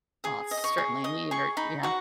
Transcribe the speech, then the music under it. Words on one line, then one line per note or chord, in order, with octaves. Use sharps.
uh, certainly need or yeah
G#4 D#6
D#5
D#6
C#6
G#4
D#5 D#6
G#4 C#6
D#4 B5
F#4 F#5